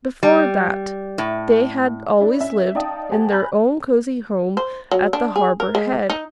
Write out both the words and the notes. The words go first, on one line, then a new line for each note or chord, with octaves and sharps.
Before that they had always lived in their own cosy home at the Harbour Head.
G3
A2
D4 E4
C#4 E5
D#4 D5 F5 G5 A5 D#6
G4 C5 F#5 G#5 A5
G#5 A#5 B5 F#6 G6
C5
F#3
D4
G#4
A#4
G#3
D#4